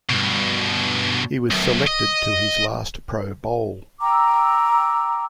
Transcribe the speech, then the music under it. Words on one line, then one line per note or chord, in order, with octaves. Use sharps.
He was selected to his last Pro Bowl.
G2 B2
B1 F#2
D#5
G5 A#5 D6 E6